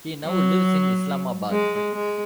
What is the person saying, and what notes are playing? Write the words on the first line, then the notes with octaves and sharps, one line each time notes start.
He now lives in Islamabad.
F#3
G#3
G#3